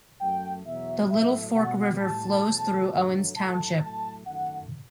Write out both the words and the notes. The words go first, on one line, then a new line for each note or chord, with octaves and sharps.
The Little Fork River flows through Owens Township.
F#2 F#3 A3 G5
E2 B2 F#3 E5
A2 F#3 A3 E5
B2 G3 F#5
A2 G3 A5
E2 B2 F#3 A3
G2 F#3 A3
A2 F#3 A3 A5
A2 F#3 A3 A5
F#2 D#3 A3 F#5